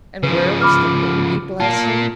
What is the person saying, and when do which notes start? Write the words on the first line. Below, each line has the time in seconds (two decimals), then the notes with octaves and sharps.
And where was the baby, bless him?
0.23 C#3 F3 B4
0.61 B5 D6 F6
1.60 A#3 F4 A5